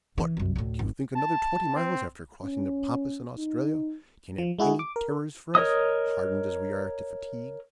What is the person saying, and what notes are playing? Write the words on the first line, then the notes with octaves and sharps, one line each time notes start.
"What! do you think another twenty miles after crossing the Pampas and Australia, can have any terrors for us, hardened as we are to fatigue?"
E3
C2 F#2
D2 A2
G#1
A5
C4
C#4
D#4
F3
G#3 E4 F#4 G#4
D6
A#4
A#4 C#5 D#5 D#6